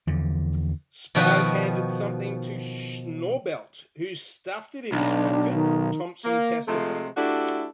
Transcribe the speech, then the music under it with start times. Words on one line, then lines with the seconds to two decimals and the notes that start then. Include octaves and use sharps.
Spies handed something to Schnaubelt, who stuffed it in his pocket, Thompson testified.
0.07 E2 D3 F3
1.15 B2 D#3 F3 F#4 B4 G5
4.92 B1 D4
5.52 D#3
6.24 A#3
6.67 C3 F3 G#3 A3
7.16 A3 D4 E4 F#4 G4 A4